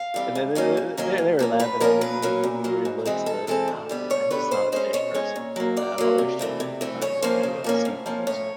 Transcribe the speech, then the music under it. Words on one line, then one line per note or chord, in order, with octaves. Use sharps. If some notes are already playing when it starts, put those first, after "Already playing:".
then then th they were laughing at me, and giving me weird looks, but, ugh, I'm just not a fish person. I I've always struggled with trying new, uh, seafoods.
Already playing: F5
E3 G3 C4
G#2
D#3 F#3 A#3 C#4
G#2
D#3 F#3 A#3 C#4
A2
F3 A#3 C#4
A2 B4
F3 A#3 C#4 A#4
A#2 B4
F#3 A#3 C#4
A#2
F#3 A#3 C#4
G#2
E3 G#3 C4
G#2 A4
E3 G#3 C4 A4
D2
D3 G3 B3
D2 C#5
D3 G3 B3 B4
B2 C5
G#3 C#4 C5
B2 C#5
G#3 C#4
A#2
F#3 A#3
A#2 D5
F#3 A#3
C3
E3 A3 C4
C3
E3 A3 C4
C#3 C#5
F3 A#3 C#4 C5
C#3
F3 A#3 C#4
A2
F3 A#3 C#4
A2 C#5